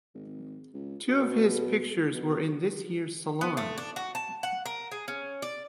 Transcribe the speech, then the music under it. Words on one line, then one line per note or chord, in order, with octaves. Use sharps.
Two of his pictures were in this year's Salon.
G#1
C#2
B2
B2
B3
A3
D4
F#4
A5
F#5
A#4
G#4
C#4
D5